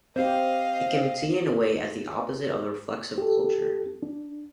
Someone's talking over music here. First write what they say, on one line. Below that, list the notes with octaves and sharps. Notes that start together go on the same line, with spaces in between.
It can be seen in a way as the opposite of the reflexive closure.
C4 G4 C5 D#5 F5
G4 A4
D4